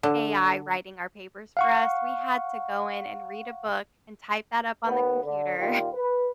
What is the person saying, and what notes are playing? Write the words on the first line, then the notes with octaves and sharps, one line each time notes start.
AI writing our papers for us. We had to go in and read a book and type that up on the computer.
D3
F5 F#5 C#6
D#2 D#3 B3
D3
A#2 D#3 F4 G4
B4